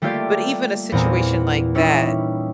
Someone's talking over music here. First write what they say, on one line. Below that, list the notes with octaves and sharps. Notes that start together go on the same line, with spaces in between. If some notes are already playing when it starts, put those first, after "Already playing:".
but even a situation like that,
G3 A3 A#3 F4 G4 D5
E2 A#2 C4 A#5
G3 C#4 D#4 E4